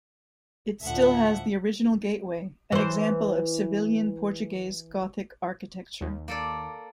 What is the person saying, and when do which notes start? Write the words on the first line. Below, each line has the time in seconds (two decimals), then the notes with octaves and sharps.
It still has the original gateway, an example of Sevillian-Portuguese Gothic architecture.
0.82 D2 A2 D3 F3 A4 E5 F#5
2.72 E3 C5
6.01 D#2
6.28 A#3 A4 D5